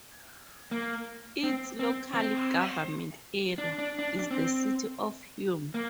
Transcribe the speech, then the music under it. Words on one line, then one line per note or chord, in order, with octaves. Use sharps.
Its local government area is the City of Hume.
A#3
C4
C4
C4
D4
D4
D4
D4
C4
A#3